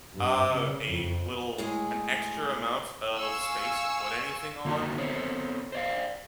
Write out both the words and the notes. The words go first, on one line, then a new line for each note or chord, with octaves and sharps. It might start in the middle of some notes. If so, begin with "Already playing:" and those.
uh, a little an extra amount of space to put anything on,
G2
C#3
F2
A2 G#3 G#4
F5 G#5 C#6 E6
D3 A#3 D#4 F#4
B3 C4 A4 C5 C#5
C5 D5 F5